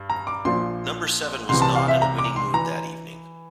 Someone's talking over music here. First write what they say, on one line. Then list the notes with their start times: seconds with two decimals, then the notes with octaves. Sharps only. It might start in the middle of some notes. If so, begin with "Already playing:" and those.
Number seven was not in a winning mood that evening.
Already playing: G2
0.10 A#5
0.27 D6
0.45 A#1 A#2 F3 C6
1.49 C2 C3 E3 C6
1.62 A5
1.75 F5
1.88 E5
2.02 A#5
2.19 D6
2.36 C6
2.54 E3 A#5